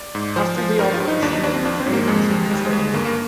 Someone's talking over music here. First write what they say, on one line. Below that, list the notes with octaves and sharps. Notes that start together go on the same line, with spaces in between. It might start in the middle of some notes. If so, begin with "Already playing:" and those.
After the operation the brigade resumed training.
Already playing: D5
G#2
F3 C5
F3
G2 A#4
F4
G2
D#4
D#2 D4
D#4
D#2 D4
C4
F3 D4
C4
G#2
A#3
F2 G#3
G3
G#3
D#2 G3
G#3
D#2
G#3
G2 A#3
A#3